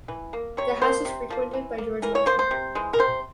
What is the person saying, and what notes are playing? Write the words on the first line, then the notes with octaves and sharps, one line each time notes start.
The house was frequented by George Washington.
E3
A#3
C3 C#5
F3 A#3 C5
C3
F3 A#3
E3
A#3
E3 A#4
C#5
A#3 C5
C5
C3
E3 G#3
A#4
C3 C5